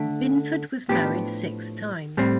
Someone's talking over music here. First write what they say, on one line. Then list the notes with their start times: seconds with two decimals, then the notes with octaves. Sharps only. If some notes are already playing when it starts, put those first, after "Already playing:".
Binford was married six times.
Already playing: D3 A3 D4
0.89 A2 F3 B3 D4 G4
2.17 A2 G3 C4